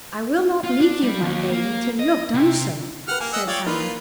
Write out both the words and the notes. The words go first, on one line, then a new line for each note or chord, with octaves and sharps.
"I will not leave you, my lady, till you have done so," said Hannah.
F4
D4
G3
D#2
A#3
D#5
C3
G4 B4 F#5 F6
A#3 G#5
D#5 F#5 E6
F4 C#5 D5 G5
A#3 D#4 F4 B4 F5